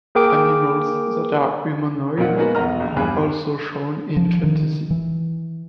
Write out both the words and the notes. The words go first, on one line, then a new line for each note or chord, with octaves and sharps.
Animals that are humanoid are also shown in fantasy.
A#3 G#4 A#4 G5 D6 D7
A#2 A#3 C4 D#4 F4 F#5
G#3 A#3 B3 D#4 F#4 A#4
B1 E2 D#5 A#5 F6
A#1
E2 G2 G3 G#4 B5 F#6
F3
D#3
E3